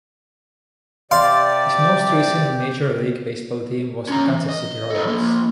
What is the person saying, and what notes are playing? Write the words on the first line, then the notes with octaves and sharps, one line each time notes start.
His most recent Major League Baseball team was the Kansas City Royals.
C3 G4 D5 F5 C6 D6
C#4 A#5
E3
D#5
A4 B4
F3 A#3